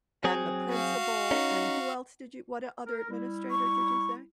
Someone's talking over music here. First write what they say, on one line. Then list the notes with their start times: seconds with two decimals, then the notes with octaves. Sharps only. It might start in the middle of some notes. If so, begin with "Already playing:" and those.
and the principal, and who else did you what other administrator did you say?
0.24 F#3 C4 G#4
0.70 F#4 F5
1.31 C#4 D#4
2.85 A#4
3.10 G3 E4
3.51 C#6